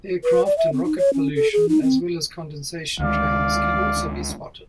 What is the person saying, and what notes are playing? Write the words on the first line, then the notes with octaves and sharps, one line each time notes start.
Aircraft and rocket pollution, as well as condensation trails, can also be spotted.
B4
D5
E5
C4
D#4
C#5
C#4
A4
G#4
D#4
C4
D2 D#3 G#3 D5 F5